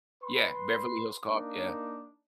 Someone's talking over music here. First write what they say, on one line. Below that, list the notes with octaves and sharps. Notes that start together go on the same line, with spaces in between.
Yeah, Beverly Hills Cop, yeah.
B4 C6
A#3 D4 D#4